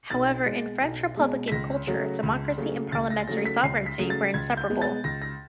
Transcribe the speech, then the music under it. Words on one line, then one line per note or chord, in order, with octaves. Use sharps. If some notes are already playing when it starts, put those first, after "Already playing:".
However, in French Republican culture, democracy and parliamentary sovereignty were inseparable.
B1 A6
B2 G#3
B1
B2 G#3
B6
C#2 A#6
C#3 F#3 A3
C#2
C#3 F#3 A3
C#2 A6
A#6
C#3 F#3 A3 A#6
B6
C#2 C7
B6
C#3 F#3 A3
A6
C#2 G#6
G6
B2 G#3 B3
A6
C#2 A#6
A#6